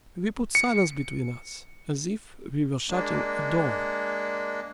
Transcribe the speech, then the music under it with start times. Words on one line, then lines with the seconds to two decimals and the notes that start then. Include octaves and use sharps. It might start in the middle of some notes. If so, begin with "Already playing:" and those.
We put silence between us, as if we were shutting a door.
0.55 C#7
2.90 G#3 A#3 D4